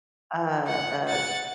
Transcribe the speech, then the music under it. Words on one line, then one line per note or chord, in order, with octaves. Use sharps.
a a
F#5
F#5 A6